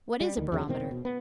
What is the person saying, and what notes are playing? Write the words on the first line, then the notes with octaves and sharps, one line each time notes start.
What is a barometer?
G3
D2 D#3
E2 C#3 F#3
E1 B2 D#3 C4
B2
B3